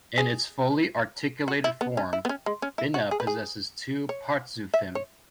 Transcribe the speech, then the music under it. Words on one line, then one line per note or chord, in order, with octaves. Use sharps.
In its fully articulated form, Binah possesses two "partzufim".
G#4
F#4
E4
B3
C#4
E4
B3
C#4
G#3
C#4
E4
F#4
G#4
B4
G#4
C#5
E5
C#5